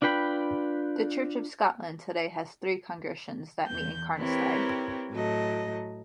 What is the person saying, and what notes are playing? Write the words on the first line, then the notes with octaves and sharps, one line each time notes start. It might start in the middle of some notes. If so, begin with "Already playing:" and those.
The Church of Scotland today has three congregations that meet in Carnoustie.
D4 F4 B4 G5 B5
E2 G6
C4 E4 G4 A#4 B4 C#5
A2 F#3 A3 D#5